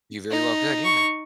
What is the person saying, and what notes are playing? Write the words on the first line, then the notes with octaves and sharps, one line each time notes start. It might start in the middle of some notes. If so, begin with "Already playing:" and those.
You very well could, yeah.
D#4
C#6